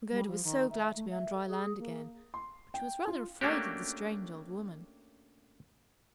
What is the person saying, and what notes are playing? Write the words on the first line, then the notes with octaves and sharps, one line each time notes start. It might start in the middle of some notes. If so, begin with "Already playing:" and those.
And Gerda was so glad to be on dry land again; but she was rather afraid of the strange old woman.
G3
F3
D#3
E5
A3
E5
A4
G#4
A#3
C6
G5
F4
A3 A#3 C#4 D4 F#4 G4